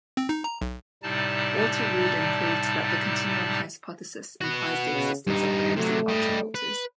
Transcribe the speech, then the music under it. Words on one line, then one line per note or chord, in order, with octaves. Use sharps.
Walter Rudin proved that the continuum hypothesis implies the existence of Ramsey ultrafilters.
C4
D#4
A#5
B1
A2 C3 G3 D#4 D5 A5
B3 F#4
C#3
G2 D#4 G4
C3 F#3 A3
G3 D#5
B4